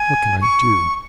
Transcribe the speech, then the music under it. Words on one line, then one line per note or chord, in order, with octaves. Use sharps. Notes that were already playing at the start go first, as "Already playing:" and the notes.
'What can I do?
Already playing: G#5
C#6